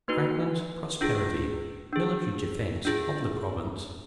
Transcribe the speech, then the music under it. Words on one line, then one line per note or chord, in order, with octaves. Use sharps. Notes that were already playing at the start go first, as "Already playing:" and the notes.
Franklin's Prosperity. Military Defence of the Province.
A#3 D#4 F#4 B4
D4 F4 G#4
D4 G#4
D4 F4 G#4